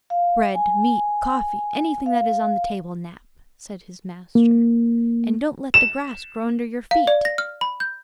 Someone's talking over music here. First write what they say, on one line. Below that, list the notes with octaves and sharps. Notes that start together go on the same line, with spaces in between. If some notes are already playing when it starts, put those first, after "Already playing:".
"Bread, meat, coffee, anything that is on the table, Nap," said his master; "and don't let the grass grow under your feet."
F5
G#5
F5
A#3
E7
F5
D5
A#6
F6
B5
G6